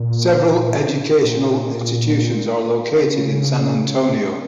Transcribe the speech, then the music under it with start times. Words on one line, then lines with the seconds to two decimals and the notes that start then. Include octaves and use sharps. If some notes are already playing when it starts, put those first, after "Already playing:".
Several educational institutions are located in San Antonio.
Already playing: A#2
1.24 A#2
2.94 C#3